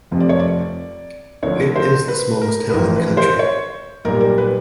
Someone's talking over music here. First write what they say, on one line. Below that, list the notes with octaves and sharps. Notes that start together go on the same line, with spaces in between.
It is the smallest town in the country.
F1 F2 C3 F3
D5
C#5
D5
D2 D3 F3 C#5
C5
B4
A#4
B4
A1 A2 F3 A#4
B4
C5
C#5
B1 A#2 G3 A#4
A#4
B4